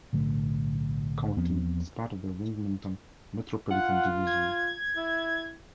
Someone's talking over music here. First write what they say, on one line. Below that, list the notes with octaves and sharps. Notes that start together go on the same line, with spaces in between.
Salem County is part of the Wilmington metropolitan division.
B1 A2 D3 A3
E2 F3 B3 C4
F4 F#5
G#6
E4